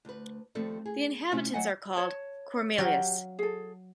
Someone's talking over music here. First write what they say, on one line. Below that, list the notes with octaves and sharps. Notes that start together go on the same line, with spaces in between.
The inhabitants are called "Cormeillais".
D2 B4
D#2 F3 A3 C4 A4 D5
G#4
C3 A3 C4 C#4 E4 F4
F#3 A3 D#5 F#5 G#5
C#5 A5
F#3 G4 F5 F#5
G#4 A4